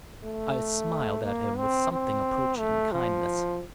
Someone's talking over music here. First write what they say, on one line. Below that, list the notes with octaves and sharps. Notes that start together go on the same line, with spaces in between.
I smiled at him with something approaching kindness.
A3
A#3
C4
C4
A3
F3